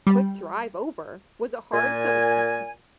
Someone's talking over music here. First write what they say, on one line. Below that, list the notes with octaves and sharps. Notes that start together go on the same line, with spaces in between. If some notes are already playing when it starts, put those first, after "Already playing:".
quick drive over, was it hard to n n n
G3
A#2 G#5